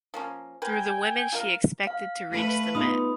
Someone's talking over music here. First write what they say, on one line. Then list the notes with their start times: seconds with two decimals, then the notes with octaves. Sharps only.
Through the women she expected to reach the men.
0.14 F3 A#3 C#4
0.62 A#4 B4 G5 G#5
1.33 F4 A#4 F5
1.87 F5
2.30 A3 B4
2.75 B3 D#4 F4 B5 D#6